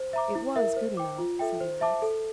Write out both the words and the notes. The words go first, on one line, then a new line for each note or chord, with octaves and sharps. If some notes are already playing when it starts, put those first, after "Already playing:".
"It was good enough," said Max.
Already playing: C5
E5 A#5 D6
E4
A#4 E5
C5
G5 D6
F4
A4 E5 G5
C5
E5 A5 D6
A4